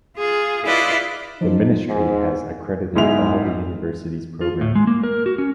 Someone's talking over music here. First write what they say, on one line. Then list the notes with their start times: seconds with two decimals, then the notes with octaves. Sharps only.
The Ministry has accredited all the university's programs.
0.17 F4 G#4
0.65 E4 F4 B4 D5 D#5
1.41 F3 D#4
1.88 G#2
2.96 B1 G#2 G#3 E4 E5 F7
4.41 F4
4.61 A2
4.75 G#3
4.87 A#3
5.03 A#4
5.26 F#4
5.38 C#4